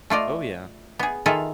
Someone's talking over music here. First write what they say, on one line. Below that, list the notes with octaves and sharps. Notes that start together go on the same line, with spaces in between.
Oh yeah.
A3 F4 D5 D#5
B3 G#4
D#3 F4 G#4 A4 E5